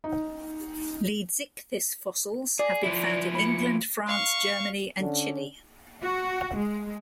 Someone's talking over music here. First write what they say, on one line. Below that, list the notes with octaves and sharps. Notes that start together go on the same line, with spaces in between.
"Leedsichthys" fossils have been found in England, France, Germany and Chile.
D#4
G#4 D5
F3 E4
B5 C#7
F5 C#6
D3 C#4
F#4
G#3